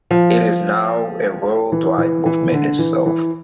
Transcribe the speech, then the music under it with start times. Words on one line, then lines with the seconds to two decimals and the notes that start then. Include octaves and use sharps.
It is now a world wide movement itself.
0.11 F3
1.72 E3
1.98 E3
2.26 E3
2.52 D3
2.79 E3
3.06 E3